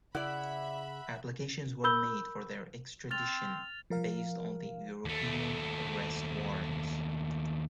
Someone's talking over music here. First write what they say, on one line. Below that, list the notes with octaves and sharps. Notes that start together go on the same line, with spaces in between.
Applications were made for their extradition based on the European Arrest Warrants.
C#3 E4 D5 E5 F#5 B5
A#4 B5 E6 G6 G7
C4 F6 A6 F7
F3 A#4 F5
D#2 A3